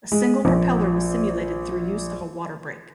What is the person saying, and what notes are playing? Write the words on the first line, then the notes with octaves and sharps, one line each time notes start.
A single propeller was simulated through use of a water brake.
G#3
A#1